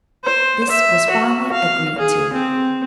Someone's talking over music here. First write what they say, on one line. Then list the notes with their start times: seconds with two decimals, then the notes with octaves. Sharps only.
This was finally agreed to.
0.24 C5
0.69 E5
1.10 F#4
1.52 F5
1.98 G#4
2.33 C4